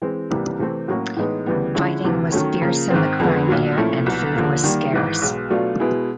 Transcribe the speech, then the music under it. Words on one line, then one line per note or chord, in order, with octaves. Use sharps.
Fighting was fierce in the Crimea and food was scarce.
E3 G#3 C4
C2 C3 E3 G3 A#3
C3 E3 A3 C4
A2 F#3 A#3 C#4 F#4
A2 E3 G#3 B3 D#4
D2 C#3 E3 G3 B3
D3 F3 G#3 C#4 E4
D2 C3 E3
D#3 F#3 A3 C#4
C#3 F3 A#3
G#2 D#3 G#3 C4
F2 D3 F3 G#3 B3
B1 A#2 F#3
A#2 F3 A3 C#4 E4
C2 B2 F#3
D#2 D3 F3 A#3
D#3 G3 A#3
G#1 G#2 E3
B1 B2 G#3
B2 F#3 A3 D4 F4
B2 G#3 B3 E4 G#4